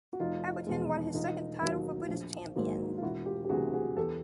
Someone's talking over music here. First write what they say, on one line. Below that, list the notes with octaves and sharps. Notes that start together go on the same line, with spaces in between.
Everton won his second title for British champion.
F#4
F1 D#4 F4
E2 B2 G#3
E1 D#4 F4
D#2 D#3 F#3
A#1
G#2 D#3 F#3 A#3
F4
E1 E4 F#4
F4 G4
G4
D2 C3 E3 G3 F#4 G#4
F#4 G#4
E2 G4 A4